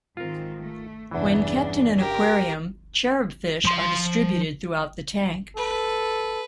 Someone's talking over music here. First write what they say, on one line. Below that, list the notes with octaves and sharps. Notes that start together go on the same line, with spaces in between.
When kept in an aquarium, cherubfish are distributed throughout the tank.
G#2 D#3 C4 F4 A#4
A3
E2 G2 C#3 E3 D4
G4 A#4
F3 C6
A4 B4